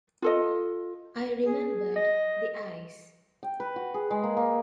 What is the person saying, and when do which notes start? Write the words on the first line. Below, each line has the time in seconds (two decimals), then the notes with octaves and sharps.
I remembered the eyes.
0.22 F4 A4 D#5
1.45 G#4
1.96 D#5
3.43 G5
3.60 B4
3.76 F#4
3.94 G#4
4.11 G#3
4.23 A#3
4.37 A#3